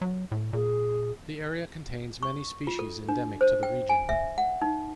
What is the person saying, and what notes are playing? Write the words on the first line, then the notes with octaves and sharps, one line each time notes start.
The area contains many species endemic to the region.
F#3
A2
A#2 G#4
C#6
F4
A4
D4
C5
G5
G#5
E5
F#5
D#4